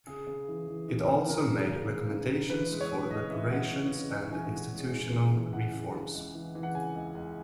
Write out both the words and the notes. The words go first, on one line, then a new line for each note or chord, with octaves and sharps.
It also made recommendations for reparations and institutional reforms.
C#3 G#4
C#3
E3
E3
E3
E3
C#3 A#4
C#3
C#3
C#3
C#3
C#3
E3 B4
G#3
C#5
G#3
C#3 D#5
E3 E5
C#3 F#5
C#3
C#3
C#3
E3 G#5
C#3
G#3
E3
C#3
E3
C#3 F#5
C#3
C#3
C#2
E3
E3
F#5
C#3 G#5
C#2
C#2